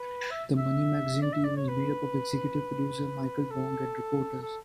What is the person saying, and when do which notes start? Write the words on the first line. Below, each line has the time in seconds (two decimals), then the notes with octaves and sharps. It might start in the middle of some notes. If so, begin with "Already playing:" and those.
The "Money Magazine" team is made up of executive producer Michael Wong and reporters.
Already playing: B4
0.31 E5
0.56 E5
1.22 D5
1.33 E5
1.44 D5
1.56 C#5
1.68 B4
3.51 A4
4.42 A4